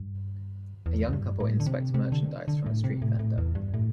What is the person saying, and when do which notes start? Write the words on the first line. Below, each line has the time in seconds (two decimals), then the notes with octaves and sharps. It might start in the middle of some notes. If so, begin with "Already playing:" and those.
A young couple inspect merchandise from a street vendor.
Already playing: G2
0.86 E2
1.08 E2
1.13 G2
1.40 A2
1.60 D3
1.66 C3
1.94 C3
2.12 D3
2.48 D3
2.66 A2
2.84 C3
3.02 A2
3.19 A2
3.38 E2
3.55 G2
3.74 A2